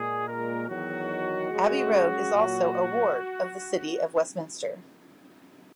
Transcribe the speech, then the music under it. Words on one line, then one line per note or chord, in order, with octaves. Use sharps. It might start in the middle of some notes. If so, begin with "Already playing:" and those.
Abbey Road is also a ward of the City of Westminster.
Already playing: A#2 G#3 G#4
A#4
E2 D#3 F#3 F#4
F#2 C#3 G#3
A#2 F#3